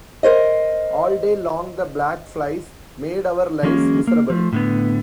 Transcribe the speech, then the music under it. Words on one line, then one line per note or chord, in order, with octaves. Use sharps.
All day long the black flies made our lives miserable.
A#4 C5 D#5
E3 F#3 G#3 A#3 C#4
A#3
F3 A3
A2 D3 B3